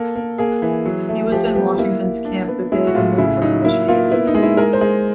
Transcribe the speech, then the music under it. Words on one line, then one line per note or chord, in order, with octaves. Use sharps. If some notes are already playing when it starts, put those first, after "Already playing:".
He was in Washington's camp the day the move was initiated.
Already playing: A#3 A4
A#3
A#3 G#4
E3
F#3
A3
F3 G4
B3 G4
A#3 E4
A#3
D4
B3
G#3 E4
F#4
A2 F4
C#3 E4
F#3 D#4
A#3 E4
A#3 F4
B3 E4
D#4
G#3
E4
G#3 A#4
C5
G#3